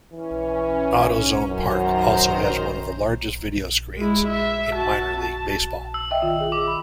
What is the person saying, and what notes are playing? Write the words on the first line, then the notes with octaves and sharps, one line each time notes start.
AutoZone Park also has one of the largest video screens in minor league baseball.
E3 C#4
F#2 D#3 F#3 C5 A#5
G#3 E4
E5
F#4 A5
A5
E6
D#5 E5 G5
D#3 F4
G#4
D6
B5